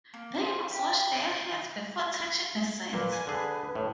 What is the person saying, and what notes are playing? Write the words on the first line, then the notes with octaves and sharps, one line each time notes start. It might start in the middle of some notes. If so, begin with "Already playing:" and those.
They must wash their hands before touching the seeds.
A#3
C5
G4
B4
A#2 A#3 B4
G#5
D3 G#4
A2